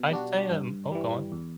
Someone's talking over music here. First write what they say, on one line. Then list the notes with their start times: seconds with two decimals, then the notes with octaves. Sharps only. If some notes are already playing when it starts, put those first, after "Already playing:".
I'd say, um Oh, go on.
Already playing: B2
0.11 G3 D4 F#4
0.50 G2
0.92 E3 G3
1.32 E2